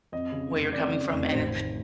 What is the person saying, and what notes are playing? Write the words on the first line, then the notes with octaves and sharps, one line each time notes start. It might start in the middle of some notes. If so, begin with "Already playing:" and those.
where you're coming from, and, eh,
F2 D#5
C#3
F1
F2 D5
C#3
F1
A1 C5
D#3